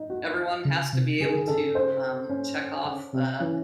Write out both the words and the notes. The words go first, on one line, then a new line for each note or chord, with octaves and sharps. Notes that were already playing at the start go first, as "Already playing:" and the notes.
everyone has to be able to, um, check-off, uh,
Already playing: D#4
F#4
C#3
C3
C#3 G#4
D#3
C#3 A4
C#3
C5
C#4
C#3
C3
E3 C#4